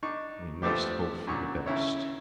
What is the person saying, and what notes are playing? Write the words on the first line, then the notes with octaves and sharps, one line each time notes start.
"We must hope for the best."
D4 D#4 C#6
F3 A3 B3 C4 D4 G4
F#2 A#2 D4 C#6
D#2 C#3 E4 C#5